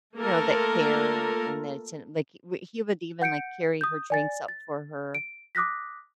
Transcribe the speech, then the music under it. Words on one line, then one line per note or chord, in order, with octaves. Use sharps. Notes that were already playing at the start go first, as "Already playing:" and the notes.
you know, that care and that it's in like, w he would even, like, carry her drinks up for her
A3 A#3 F4 A4 A#4
F#5 G6 C#7 D7
D#6 G6
D5 G#5 A6
A6
D7
D6 D#6 F#6 A#6 B6